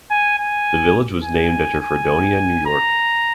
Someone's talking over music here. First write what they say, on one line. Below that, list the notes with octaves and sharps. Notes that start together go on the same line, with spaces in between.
The village was named after Fredonia, New York.
G#5
G#5
G#5
G#5
A#5